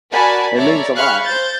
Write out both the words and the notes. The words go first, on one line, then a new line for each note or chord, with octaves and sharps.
It means a lot.
F#4 A#4 D5 G#5 A5 B5
A4 C#5 D5 E5 A#5
G#4 F5 B5 C#6 F6 F#6
C5 G6 A6